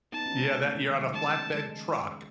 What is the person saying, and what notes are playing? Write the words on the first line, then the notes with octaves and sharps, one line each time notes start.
Yeah, that you're on a flatbed truck,
B3 D#4 A5
C#4
G#3 B3
G#3
A3
C#3
D#3
F#3
G#3 A5
G#3